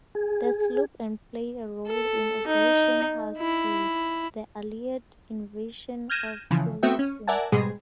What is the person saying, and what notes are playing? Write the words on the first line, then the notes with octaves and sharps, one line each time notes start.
The sloops and played a role in Operation Husky, the Allied invasion of Sicily.
G#4
A4
D#4
E4
F6 G6 G#6 A#6 D#7 E7
C#3 E3 F3
A3 B3 C4 F#4 E5 G5
C#4
A#4 D5 E5 F#5 G#5 A5
G#2 B2 G3 G#3 G#4